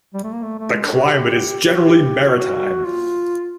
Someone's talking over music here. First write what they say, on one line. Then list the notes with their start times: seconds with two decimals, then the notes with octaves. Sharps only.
The climate is generally maritime.
0.14 G3
0.23 A3
0.33 A#3
0.43 A3
0.59 A3
0.74 G#3
0.84 D4
0.93 F#4
1.04 G4
1.65 G4
1.74 F#4
1.85 G4
2.25 F#4
2.86 F4